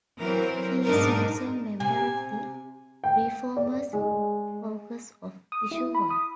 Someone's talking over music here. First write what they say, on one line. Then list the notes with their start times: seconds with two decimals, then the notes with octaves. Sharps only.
She is also a member of the ReFormers Caucus of Issue One.
0.18 E3 F#3 C4 A#4
0.85 G#2 B2 D4 D#4 A#4
1.80 C3 G#5
3.04 G5
3.57 D5
3.93 G#3
5.52 D#6
5.71 E4
5.95 B5
6.10 D#6